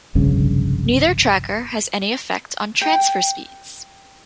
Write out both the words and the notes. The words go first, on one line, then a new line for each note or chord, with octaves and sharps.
Neither tracker has any effect on transfer speeds.
F1 B1 G2 C#3
G5